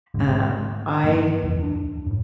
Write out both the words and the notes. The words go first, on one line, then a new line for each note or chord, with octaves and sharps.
Um, I
A1 E2 G#2 D3
G#2
G2 D#3 F3 A#3
C2 F2
D1 E2 D4
F#2 A2